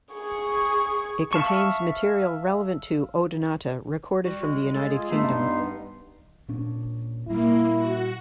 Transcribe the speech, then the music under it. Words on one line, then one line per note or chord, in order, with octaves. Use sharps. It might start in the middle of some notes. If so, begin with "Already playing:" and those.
It contains material relevant to Odonata recorded from the United Kingdom.
G#4 C#6
E5 F5 A5 C#6
G3 F#4
G#3
G#3 A4
F4 G#4
G2 A3 B3 D#4 C6
G3
A#2 C#4 D4
A#2 G3 A#3 E4
F#4